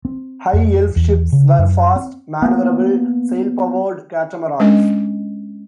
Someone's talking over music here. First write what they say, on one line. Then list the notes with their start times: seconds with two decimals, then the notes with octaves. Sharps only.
High Elf ships were fast maneuverable sail powered Catamarans.
0.05 C4
0.53 F2
0.96 E2
1.33 C#3
1.58 F#2
1.96 C4
2.42 A#3 B3
4.60 G#3 C#4 D4 D#5